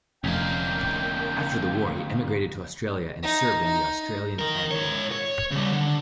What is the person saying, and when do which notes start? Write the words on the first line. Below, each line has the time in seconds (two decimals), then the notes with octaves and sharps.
After the war he emigrated to Australia and served in the Australian Tank Corps.
0.24 F1 D2 A#3 C#4 D#4 G5
3.23 D#4
3.63 D#4
4.39 D#3 A#4
4.71 G#2 C#5
5.12 C#5
5.52 C#3 G3
5.72 D3